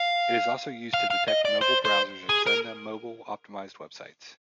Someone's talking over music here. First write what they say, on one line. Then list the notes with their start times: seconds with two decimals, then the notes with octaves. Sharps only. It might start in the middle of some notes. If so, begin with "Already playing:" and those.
It is also used to detect mobile browsers and send them mobile-optimized websites.
Already playing: F5
0.94 F5
1.10 F5
1.28 D#5
1.45 D5
1.61 C5
1.85 C5
2.29 G#4
2.46 A#4